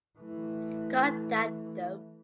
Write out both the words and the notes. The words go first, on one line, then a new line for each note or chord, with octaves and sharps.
Got That Dope.
E3 A3